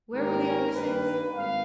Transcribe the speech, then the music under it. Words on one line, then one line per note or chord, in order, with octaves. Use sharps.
Where were the other six?
G#2 D#3 G3 A#3 A#4
G2 D#3 G3 A#3 B4
G#1 F5